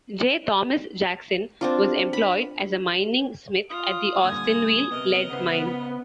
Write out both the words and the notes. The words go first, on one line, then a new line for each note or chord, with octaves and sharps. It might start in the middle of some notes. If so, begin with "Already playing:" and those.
J Thomas Jackson was employed as a mining smith at the Austinville lead mine.
C4 D4 F4
B5
F4 D#6
A#2 D3 G3 G#5
C3 B3 A#4 D#5
C#3 B3 C5